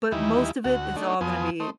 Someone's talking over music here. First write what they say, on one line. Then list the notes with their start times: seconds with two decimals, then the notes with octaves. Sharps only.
but most of it is all gonna be
0.12 D#2 E3 G3 D#4 E4
0.64 D2 F#4 F#5
0.96 A3 D4 D#4
1.21 F2 F3 B3 G#5 D#6
1.60 A3 C5 D#5